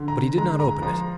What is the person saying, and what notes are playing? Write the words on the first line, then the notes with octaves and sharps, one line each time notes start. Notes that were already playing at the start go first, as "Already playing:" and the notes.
But he did not open it.
Already playing: D3
A#5
G#3 A#5
A#5
F3 A#5